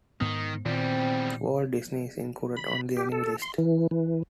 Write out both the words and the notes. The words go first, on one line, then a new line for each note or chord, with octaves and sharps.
Walt Disney is included on the Enemy List.
G#2 D#3 B3
E2 A#2 D#3 G3 C4
B5
G4
A4
C6
E3
E3